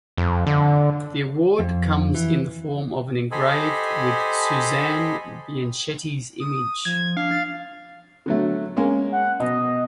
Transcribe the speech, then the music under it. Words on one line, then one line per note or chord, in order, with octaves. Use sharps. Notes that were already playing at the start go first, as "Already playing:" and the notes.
The award comes in the form of a engraved with Suzanne Bianchetti's image.
F2
D3
F2
E3
G4 A4 C5 D#5 G#5 B5
D#6
F3 G#6
D4 F5
A6
D3 F#3 A3
G#3 A#3 C#4
F#5
B2 D#5